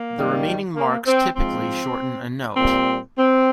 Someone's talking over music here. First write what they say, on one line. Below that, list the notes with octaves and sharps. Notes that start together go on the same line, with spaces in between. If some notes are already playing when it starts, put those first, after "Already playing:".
The remaining marks typically shorten a note.
Already playing: A#3
G#2 D#3 G3
A#3
C4
G#2 F3 G#3 C4
A#2 G3 C4
C4